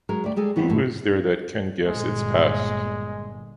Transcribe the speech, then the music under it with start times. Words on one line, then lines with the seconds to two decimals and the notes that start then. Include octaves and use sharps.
Who is there that can guess its past?
0.09 F#3 G#3 A#4
0.24 D2 G3 D5
0.36 G3 G#3 G#4 A4
0.56 G3 B3 C4
0.68 F#2 A2
1.87 G1 A#2 G#3